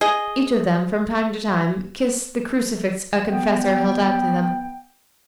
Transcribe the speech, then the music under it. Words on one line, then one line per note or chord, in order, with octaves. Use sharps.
Each of them, from time to time, kissed the crucifix a confessor held out to them.
G#4 D#5
B3 G5